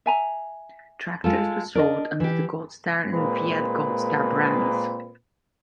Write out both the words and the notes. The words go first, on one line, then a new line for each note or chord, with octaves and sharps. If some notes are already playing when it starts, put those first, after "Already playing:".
Tractors were sold under the GoldStar and Fiat-GoldStar brands.
E5 G#5 A#5
G#3 F4 A4
D4 A#4 D#5
E3 G4
A#2 G#3 A#3 C4 B4